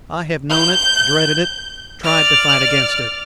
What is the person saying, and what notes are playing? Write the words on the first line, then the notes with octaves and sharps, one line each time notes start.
I have known it--dreaded it--tried to fight against it.
G6
D5 F6